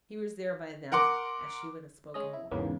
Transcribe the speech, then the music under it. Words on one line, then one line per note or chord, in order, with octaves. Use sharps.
He was there by them as she would have spoken more.
A#4 F#5 C6 D6
G#3 C#4 D#5
E4
E2 G#2 C#3 A#3 B3